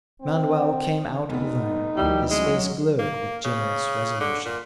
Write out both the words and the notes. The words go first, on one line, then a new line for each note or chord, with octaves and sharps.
Manoel came out alone; his face glowed with generous resolution.
C4
F1 B3 D#4
D2 D#3 F3 G3 E4 E6
F#3 G#3 C#4
A#3
C#3
D3
A#2